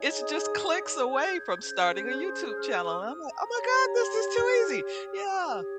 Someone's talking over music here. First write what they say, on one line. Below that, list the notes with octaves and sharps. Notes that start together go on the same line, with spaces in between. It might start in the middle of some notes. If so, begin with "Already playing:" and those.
it's just clicks away from starting a YouTube channel. And I'm like, "Oh my God, this is too easy." Yeah.
Already playing: D#4 G#4 C#5
D#6
G6
G#6
C#4 G#4 C5 G6
F6
D#6
A#5
G4 C#5
C6
F6
D#6
D#6
G4 C#5 D#6